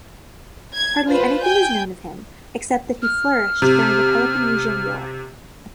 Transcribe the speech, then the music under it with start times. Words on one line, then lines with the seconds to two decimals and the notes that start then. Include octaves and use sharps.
Hardly anything is known of him, except that he flourished during the Peloponnesian War.
0.73 G#6
1.08 F4 B4 C5
1.43 G5 G#5 G6
3.02 F6
3.62 C3